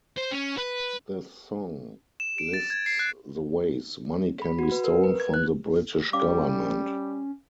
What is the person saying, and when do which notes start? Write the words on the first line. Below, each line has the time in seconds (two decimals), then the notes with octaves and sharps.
The song lists the ways money can be stolen from the British government.
0.17 C5
0.31 C#4
0.57 B4
2.20 E7
2.38 D7
2.54 A6
2.70 G#6
2.86 C7
2.99 F#6
4.42 B5
4.59 F#4
4.72 B4
4.84 A#4
5.04 B4
5.20 G#6
5.34 F#6
6.13 G3 C#4 F5 D6